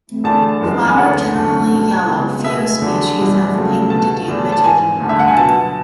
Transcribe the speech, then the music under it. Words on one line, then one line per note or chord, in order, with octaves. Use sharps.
Flower generally yellow, few species have pink to deep magenta flower.
E2 D3 A3 A5
F#2 E3 G#3 B3
G#5
D2 D3 G#3 B3 F#5
F#2 D3 A3
B2 A3
C#2 C#3 G#3 B3
B2 G#3 B3 E5
E2 D3 F#3
E2 B2 G#3
C#2 C#3 F#3 A3
B2 A3 A5
E2 B2 A3
A5
G#2 E3 B3 G#5
D2 D3 A3
E5
F#5
G#5
B2 F#3 B3 A5